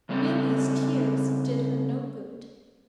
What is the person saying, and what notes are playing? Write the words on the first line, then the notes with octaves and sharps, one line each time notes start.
Milly's tears did her no good.
C#3 G3 C4 A4